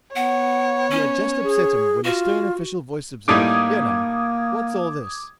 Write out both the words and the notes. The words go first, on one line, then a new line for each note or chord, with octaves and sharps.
He had just upset him, when a stern official voice observed, ''Ere, now, what's all this?'
B3 C#5 F#5
C#4
G#4
F4 F#4
A2 G3 A#3 D#4 D6 D#6 G#6